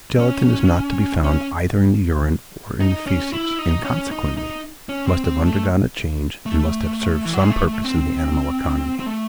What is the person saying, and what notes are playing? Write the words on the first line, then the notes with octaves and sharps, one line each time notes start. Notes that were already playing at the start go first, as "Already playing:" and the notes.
The gelatine is not to be found either in the urine or in the faeces, and consequently must have undergone a change, and must have served some purpose in the animal economy.
C#4
C#4
D#4
C#4
E4
D#4
C#4
D#4
D#4
C#4
C4
C4
A3
A3
E3
F#3
G#3
A3
A3
C4
C4
A3